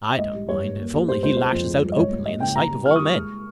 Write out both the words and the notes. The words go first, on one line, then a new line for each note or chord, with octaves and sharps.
"I don't mind if only he lashes out openly in the sight of all men."
G#2 D#5
G3
G2 C#5
G2
D#2
D#2
G3 C5
C#2 C5
G#3 C5
F2
G#3
G2
D#5
G#2 C#5
G#2
D#2 D#5
C#3 G5
D#2 A#5
G3
G3 F6
C#6
D#6
G3
C#6
G#3